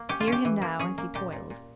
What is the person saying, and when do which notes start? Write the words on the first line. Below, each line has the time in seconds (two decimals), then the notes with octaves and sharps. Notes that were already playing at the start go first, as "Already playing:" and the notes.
Hear him now as he toils.
Already playing: A#3
0.09 C#4 G4
0.20 F4
0.27 C#4
0.32 G4
0.45 E3
0.62 A#3
0.79 C#4 G#4
0.98 A#3
1.15 A#2 G4
1.32 A#2
1.50 A#2